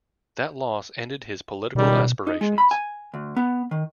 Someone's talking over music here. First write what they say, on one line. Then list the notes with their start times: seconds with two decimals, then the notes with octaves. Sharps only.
That loss ended his political aspirations.
1.75 C#2 B2 D#3 G3
2.27 D#4
2.41 G#3
2.58 B5
2.71 G#5
3.14 D2
3.37 B3
3.71 D#3